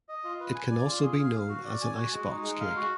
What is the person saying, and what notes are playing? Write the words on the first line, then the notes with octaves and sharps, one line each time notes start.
It can also be known as an "ice-box cake".
D#5
F4
B4
G#5
D5
F4
G#4
F5
F5
F#4
D5
G#5
F#4
G#3
D#4
G#3
F5
F#4